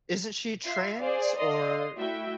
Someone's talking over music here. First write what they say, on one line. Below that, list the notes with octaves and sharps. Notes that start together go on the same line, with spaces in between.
isn't she trans or
F4 E5 C7
G#4 C5 D5 F5
D5 D#5 F5 C6 D#6
A3 E4 F#4 E5 G5